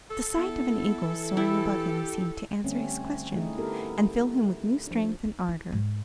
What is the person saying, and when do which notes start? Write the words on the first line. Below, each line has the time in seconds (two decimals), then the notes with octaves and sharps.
The sight of an eagle soaring above him seemed to answer his question, and fill him with new strength and ardor.
0.10 A4
0.37 B3 E4
1.04 E3
1.37 E4 G4
2.64 D3 G3 A3 C4 C#4
3.35 A3 D#4 E4 G#4
3.58 A3 B3 E4 G4 A4 A#4
4.87 F3 D4
5.25 D#4
5.48 E4
5.72 G#2